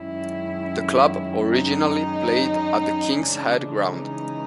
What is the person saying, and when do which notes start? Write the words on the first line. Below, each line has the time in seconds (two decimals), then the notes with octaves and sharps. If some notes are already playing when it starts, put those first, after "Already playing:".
The club originally played at the King's Head Ground.
Already playing: F#2 D#3 G#3 C#4 E4
1.50 D#4
3.15 C#3 E3 G#3 C#4 D4
3.98 D#4